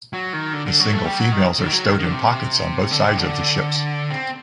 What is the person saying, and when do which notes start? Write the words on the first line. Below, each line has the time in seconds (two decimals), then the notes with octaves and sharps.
The single females are stowed in pockets on both sides of the ships.
0.13 F#3
0.33 D#3
0.53 D3
0.66 D3
0.80 F#3
0.93 A3
1.05 G3
1.19 F#3
1.32 D#3
1.59 D3
1.66 D#3
1.72 F#3
1.85 D#3
1.98 D#3
2.06 D3
2.12 C3
2.91 D3
3.04 C3
3.17 D3
4.10 C4